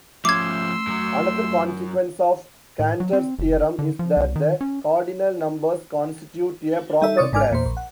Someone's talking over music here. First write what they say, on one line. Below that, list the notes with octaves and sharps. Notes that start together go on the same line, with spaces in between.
Another consequence of Cantor's theorem is that the cardinal numbers constitute a proper class.
F3 A3 C#4 C6 D6 E6 G#6
F#2 F#3
A2
F#3
C4
F#1
D3
F3
C2
D#3
C#4
G3 D#4 A4 E5
C3 C#5 D5 C#6 D#6 A6
G#1 G#2 D5 G#5 D6 F6
E2 A#2 C5
A#1
F#5